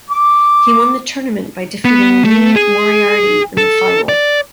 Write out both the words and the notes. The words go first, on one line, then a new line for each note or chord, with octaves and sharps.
He won the tournament by defeating Lee Moriarty in the final.
D6
B3
A3
G#4
A4
D5